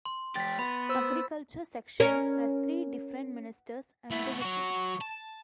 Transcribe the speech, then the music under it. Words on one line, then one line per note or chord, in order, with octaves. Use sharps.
Agriculture section has three different ministers and divisions.
C6
F3 G4 A6 B6
B3 B5
C5 E6
C#4 A#4
A3 B3 E4
F#3 F#4 C#6
A5